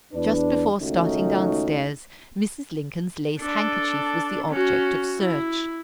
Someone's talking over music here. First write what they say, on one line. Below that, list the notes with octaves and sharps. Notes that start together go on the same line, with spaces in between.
Just before starting downstairs, Mrs. Lincoln's lace handkerchief was the object of search.
E2 D4 B4
C#2 D#3 A3 C#4 D#4 F#4
D4 A4
C#4 F#4
E4